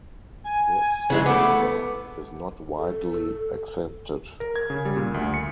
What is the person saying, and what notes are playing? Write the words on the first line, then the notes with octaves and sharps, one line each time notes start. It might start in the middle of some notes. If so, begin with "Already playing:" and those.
This, however, is not widely accepted.
G#5
C#3 E3 G#3
A3 B3 D6
A4
A#4
G#6
C#3
G3
A#2
D2
C#7